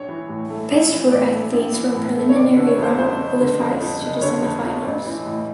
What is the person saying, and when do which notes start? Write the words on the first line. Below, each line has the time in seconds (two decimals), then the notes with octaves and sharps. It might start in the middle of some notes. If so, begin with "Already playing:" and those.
Best four athletes from preliminary round qualifies to the semifinals.
Already playing: A#1 C#5
0.08 E3
0.29 A2
0.50 A3
0.71 A#1
0.91 E3
1.12 A2 D5
1.32 A3
1.53 A#1
1.73 E3
1.95 A2
2.16 A3
2.29 C#5
2.36 F#1 D5
2.57 D3
2.67 C#5
2.78 F2 C5
2.98 F3 C5
3.19 F#1
3.40 D3
3.60 F2
3.81 F3
4.01 F#1
4.22 D3 C#5
4.42 F2
4.63 F3
4.84 A1
5.05 E3
5.25 A2